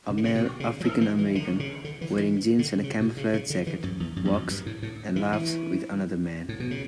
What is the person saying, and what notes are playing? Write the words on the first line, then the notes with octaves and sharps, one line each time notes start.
A male AfricanAmerican wearing jeans and a camouflage jacket, walks and laughs with another man.
C#3
D3
C#3
B2
C#3
F#3
E3
E3
E3
D3
C#3
D3
E3
E3
D3
C#3
B2
C#3
C#3
D3
E3
F#2
E2
F#2
E2
F#2
G2
A2
A2
E3
E3
A2
B2
C#3